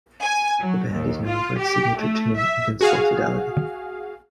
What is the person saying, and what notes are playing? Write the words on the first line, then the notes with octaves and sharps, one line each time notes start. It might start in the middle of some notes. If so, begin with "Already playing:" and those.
The band is known for its signature tune "Invincible Fidelity".
G#5
F#3
D#2
F4
G4
A3
E5
F#4 G#4 F5